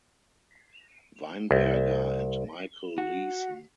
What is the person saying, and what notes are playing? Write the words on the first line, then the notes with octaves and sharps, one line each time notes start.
Weinberger and Michael Leeson.
C2
F#4